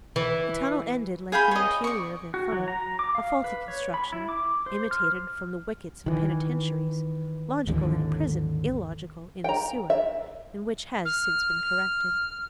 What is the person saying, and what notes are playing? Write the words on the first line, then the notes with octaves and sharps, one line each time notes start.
The tunnel ended like the interior of a funnel; a faulty construction, imitated from the wickets of penitentiaries, logical in a prison, illogical in a sewer, and which has since been corrected.
E3
G#4 F5 G5 B5
C#5 D#5
D5 C#6
F#4
F#3
A#5
D6
F5
B4
C#5
B5
E4
D6
C5
F6
D#3 E3
G#1 D#2 D3 E3
G5 A#5
E5
F6